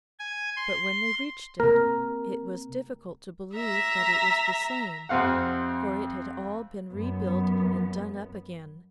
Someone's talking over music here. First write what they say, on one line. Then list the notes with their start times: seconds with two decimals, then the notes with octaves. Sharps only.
But when they reached it, it was difficult to believe that it was the same, for it had all been rebuilt and done up again.
0.19 G#5
0.57 C6
1.60 C3 A#3 A#4
3.55 E5 A#5
5.09 F2 C3 C4 F5 F#5
6.92 F#2 B3